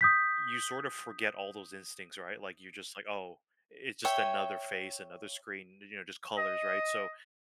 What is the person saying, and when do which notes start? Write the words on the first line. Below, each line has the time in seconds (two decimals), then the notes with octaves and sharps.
you sort of forget all those instincts, right, like, you're just like, "Oh, it's just another face, another screen." n you know, just colors, right, so
0.01 D#6 G6 B6
4.05 C#5 E5 G5
6.38 D#5